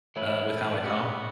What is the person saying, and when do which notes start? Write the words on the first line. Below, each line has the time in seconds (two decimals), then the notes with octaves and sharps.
uh, with how I talk
0.16 E3 A3 E4 B4 C#5
0.49 A4
0.84 C#3 G3 B3 F#4 G4